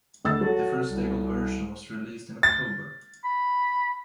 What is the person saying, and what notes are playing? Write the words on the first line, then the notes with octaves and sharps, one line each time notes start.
The first stable version was released in October.
D2 E6 A6
F#3 F#4 A4
C2
A6
B5